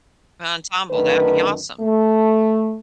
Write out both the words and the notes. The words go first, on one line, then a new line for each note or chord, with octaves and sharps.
an ensemble, that'd be awesome.
F#2 D3 D#3 A3 B4
A3